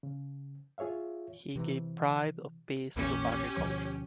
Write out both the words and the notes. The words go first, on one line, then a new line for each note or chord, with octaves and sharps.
He gave pride of pace to agriculture.
C#3
F4 G#4 C#5 E5 F5
C3 E3
A#1 E2 A#2 C#4 G4
D2 B2 F3